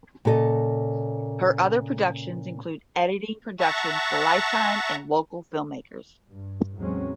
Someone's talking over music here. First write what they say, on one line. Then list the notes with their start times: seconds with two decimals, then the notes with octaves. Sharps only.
Her other productions include editing productions for Lifetime and local filmmakers.
0.25 A#2 C#3 A4 D#5
3.60 E5 F#5 A5 A#5 C#6
6.28 G2
6.77 E2 A2 F#3 G#3 C4 C#4